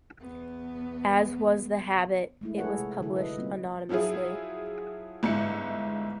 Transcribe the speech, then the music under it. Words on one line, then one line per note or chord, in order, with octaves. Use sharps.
As was the habit, it was published anonymously.
E2 B3
G#3 A3 E4
F3 G#4 A4 B4 C#5 F#5
C3
D3 F#3 E4 A4
B4 D#5
G3 A#3 C4 C#4 F4
F3 F#3 E4 F4 G#4
G1 G#2 E4 C#7